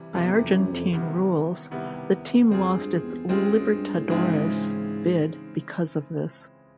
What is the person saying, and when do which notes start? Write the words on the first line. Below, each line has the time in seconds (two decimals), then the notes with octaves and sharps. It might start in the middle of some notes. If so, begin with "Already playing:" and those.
By Argentine rules, the team lost its Libertadores bid because of this.
Already playing: C3 E3 G3
0.13 F2 C3 E3 G3
0.23 E2
0.33 F2
0.47 F2
0.53 F#2
0.65 F#2
0.72 F2
0.92 C3 D#3 G3 B3 E4
1.71 C3 D#3 G3 B3 E4
2.50 F2 G#3 C4 F4 G#4
2.77 G2
3.03 E2
3.29 F#2 G#3 C4 F4 G#4
3.60 F#2
3.68 G2
3.97 A2
4.08 G#2 C#3 E3 G#3 C4 F4